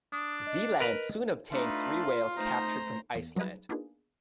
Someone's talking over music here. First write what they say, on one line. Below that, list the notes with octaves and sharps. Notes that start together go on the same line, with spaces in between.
Sealand soon obtained three whales captured from Iceland.
D4 D#6
D#5
A#4 B4 A#5
A3 D4 D#4 F4 B4
A3 D#4 C5 A#5
E2
F#3 G3 D#4 G#4 B4
A#3 B3 D4 D#4 F4 G#4